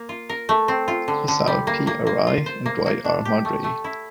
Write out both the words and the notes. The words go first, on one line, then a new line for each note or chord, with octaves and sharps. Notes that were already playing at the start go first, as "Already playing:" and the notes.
Hisao P. Arai and Dwight R. Mudry.
Already playing: A#3
F4
A#4
A3
C4
F4
D3
D3
G3
A#3
A#3
A#3
F4
C5
A#3
A#3
D4
G4
A3
A3
E4